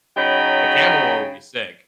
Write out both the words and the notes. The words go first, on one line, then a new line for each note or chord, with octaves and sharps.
The camo one would be sick.
C#3 F#3 D#4 G5 B5